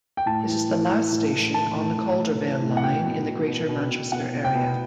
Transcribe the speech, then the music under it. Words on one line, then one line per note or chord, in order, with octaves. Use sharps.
This is the last station on the Caldervale Line in the Greater Manchester area.
G5
A2 A5
E3
A2
E3
A2
A2
E3 A5
A2
A2
A2
E3
A2
F#5
B2 G5
B2
B2
B2
B2
B2
B2 F#5
B2
G5
B2